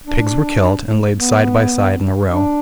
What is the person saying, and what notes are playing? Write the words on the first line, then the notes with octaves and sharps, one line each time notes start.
The pigs were killed, and laid side by side in a row.
D4
B3
D4